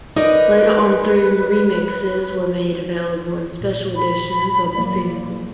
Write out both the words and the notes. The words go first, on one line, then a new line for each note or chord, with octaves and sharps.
Later on three remixes were made available in special editions of the single.
D#4 A#4 B4 D5 D#5
A#2
B5
F#3 A#3 D5
D5